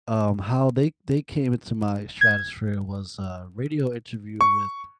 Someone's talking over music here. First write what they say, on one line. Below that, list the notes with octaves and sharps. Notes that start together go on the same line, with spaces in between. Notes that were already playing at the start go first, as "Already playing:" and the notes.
um, how they they came into my stratosphere was a radio interview with
G#6
C#6